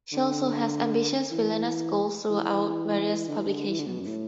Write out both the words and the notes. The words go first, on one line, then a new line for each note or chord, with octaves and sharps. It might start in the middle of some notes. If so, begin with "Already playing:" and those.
She also has ambitious villainous goals throughout various publications.
D3
E3
E3
E3
E3
D3
E3
D3
E3
D3
B2
F#2
A2